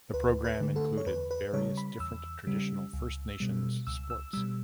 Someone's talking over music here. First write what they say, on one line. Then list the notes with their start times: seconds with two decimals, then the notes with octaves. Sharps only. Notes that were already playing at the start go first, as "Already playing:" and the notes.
The program included various different traditional First Nations sports.
0.14 D2 B4
0.44 B4
0.60 D3 A3
0.76 A4
0.97 C#5
1.06 E2 B4
1.31 B4
1.53 C#3 G3 C#5
1.77 B5
2.00 E2 E6
2.47 C#3 G3
2.93 C#2
3.40 B2 G3
3.87 C#2 E6
4.10 E6
4.33 B2 G3 E6